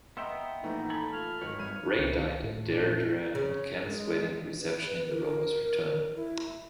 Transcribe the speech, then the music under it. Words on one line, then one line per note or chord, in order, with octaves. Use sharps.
Ray died at Deirdre and Ken's wedding reception in the Rover's Return.
B3 D#5 E5 G5 A#5 C6
A#1 E3 A3 D#4
A4 G#5 B5
A3 F4 F6
G#2 D#3 F#3 B4 C#5
G#1 G2 D#7
C#2 C4 E4
A1 A2 A3
A#2 D4
C#3
G#3
B4
A#4
E4